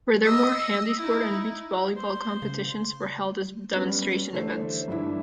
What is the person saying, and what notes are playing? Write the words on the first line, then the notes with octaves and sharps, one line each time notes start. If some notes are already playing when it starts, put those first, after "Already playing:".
Furthermore, handisport and beach volleyball competitions were held as demonstration events.
D#5 E6
D#4 E4
C5
C#3
G3 B3 C#4
D3 E3 A3 A4 C5 C#5
G2 E3 D4 E4